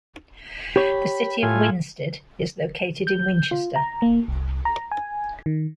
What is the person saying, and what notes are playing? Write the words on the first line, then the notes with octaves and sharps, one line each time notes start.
The City of Winsted is located in Winchester.
G4 C#5 B5
A2 F4 G#5
G6
F4
A#5
A#3
C2
A#5
G#5
D#3